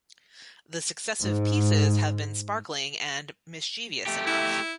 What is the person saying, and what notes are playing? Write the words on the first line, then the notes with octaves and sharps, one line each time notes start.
The successive pieces have been sparkling and mischievous enough.
G#2
A3 G4
E4